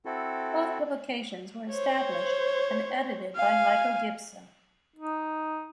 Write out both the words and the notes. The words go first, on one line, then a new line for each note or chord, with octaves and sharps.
Both publications were established and edited by Michael Gibson.
C4 E4 F#4 A4
C5 C#5
F5 G#5
D#4